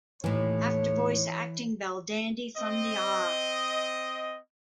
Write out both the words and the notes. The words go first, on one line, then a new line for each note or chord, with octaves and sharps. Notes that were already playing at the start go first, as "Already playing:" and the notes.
After voice acting Belldandy from the Ah!
D#2 A2 E3 C#5
C4 D#5